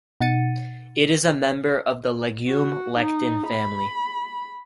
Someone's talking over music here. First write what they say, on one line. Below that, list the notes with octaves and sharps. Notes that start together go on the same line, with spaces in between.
It is a member of the legume lectin family.
B2 D#4 F#5 A6 C#7 D#7
F#4
D#4
B5